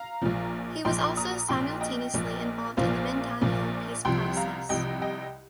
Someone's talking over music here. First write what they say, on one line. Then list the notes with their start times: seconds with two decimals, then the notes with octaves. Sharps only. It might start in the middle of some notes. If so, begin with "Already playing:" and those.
He was also simultaneously involved in the Mindanao peace process.
Already playing: F5 A#5
0.22 A#1 A#2 F3
0.85 A#1 A#2 F3 G5 C6
1.17 A#5 D#6
1.49 A#1 A#2 F3 G5 C6
1.81 D#5 G5
2.14 A#1 A#2 F3
2.77 A#1 A#2 F3 C5 F5
3.41 A#1 A#2 F3
4.05 C2 C3 F3 G5 C6
4.37 F5 A#5
4.69 C2 C3 F3 D#5 G5
5.02 D#5 G5